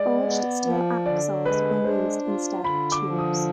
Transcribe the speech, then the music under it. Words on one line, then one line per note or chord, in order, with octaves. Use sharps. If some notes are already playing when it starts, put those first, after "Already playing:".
Forged steel axles were used instead of tubes.
Already playing: G#3 D5
B3
F3
D3 D5
G#3 B4
D4 C5
F4
D3 B5
D6
F3
D#6